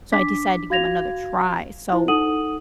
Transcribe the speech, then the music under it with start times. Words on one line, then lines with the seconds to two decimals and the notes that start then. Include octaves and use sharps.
So I decided to give 'em another try, so
0.12 D4 D6 B6
0.70 F#4 F5 G#6 A#6 F7
1.92 E4 F4 C5
2.08 D#4 A4 F#5 D#6 D#7 F#7